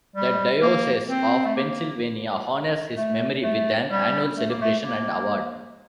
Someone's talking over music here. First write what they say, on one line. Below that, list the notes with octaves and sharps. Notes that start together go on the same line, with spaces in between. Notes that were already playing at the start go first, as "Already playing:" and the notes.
The Diocese of Pennsylvania honors his memory with an annual celebration and award.
G3
A#3
C4
A3
A#3
A3
A3
G3
A3
A#3
A3
A#3